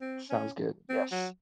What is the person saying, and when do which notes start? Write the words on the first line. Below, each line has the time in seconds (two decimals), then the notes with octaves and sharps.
Sounds good, yes.
0.01 C4
0.30 C#4
0.90 C4
1.12 F#3